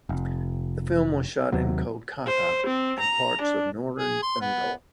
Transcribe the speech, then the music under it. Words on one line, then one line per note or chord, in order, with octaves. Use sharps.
The film was shot in Kolkata and parts of North Bengal.
F1
D#2 C3 F#3
C5
C4
A#5
D4
G#4
C6
B3